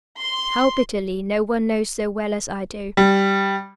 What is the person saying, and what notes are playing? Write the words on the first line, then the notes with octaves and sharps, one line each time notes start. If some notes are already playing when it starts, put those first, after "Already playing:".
How bitterly no one knows so well as I do.
C6
G3